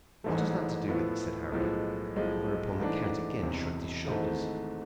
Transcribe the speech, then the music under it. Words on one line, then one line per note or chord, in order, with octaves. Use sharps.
"What has that to do with it?" said Harry; whereupon the count again shrugged his shoulders.
A1 G#2 E3 A3
A2 F3 B3 E4
B1 A2 F3 G#3 B3
B1 A2 F3 G#3
G#2 E3 A3 D4
E1 E2 C3
G#1 G#2 E3 A3